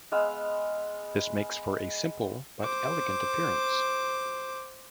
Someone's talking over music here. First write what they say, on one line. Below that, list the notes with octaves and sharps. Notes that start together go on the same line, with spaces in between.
This makes for a simple but elegant appearance.
G#3 B3 F5 E6
C5 D6